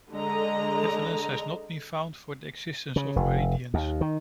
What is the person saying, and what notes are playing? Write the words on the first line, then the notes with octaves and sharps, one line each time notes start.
Evidence has not been found for the existence of meridians.
D3 G#3 D#5 A#5
C#3
F1
D#2
D#3